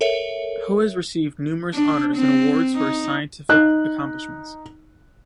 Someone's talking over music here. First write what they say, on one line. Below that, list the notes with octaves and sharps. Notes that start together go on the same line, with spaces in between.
Ho has received numerous honors and awards for his scientific accomplishments.
A4 A#4 C#5 E5 C#7
D4
C4
D#4
D#4 F#6